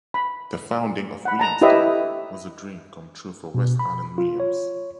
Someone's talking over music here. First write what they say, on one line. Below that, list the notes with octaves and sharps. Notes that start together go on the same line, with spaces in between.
The founding of Williamston was a dream come true for West Allen Williams.
B5
F#5 B5
A5 A#5
E4 G4 B4 C#5 D#5 E5
B2
B5
F4
C#5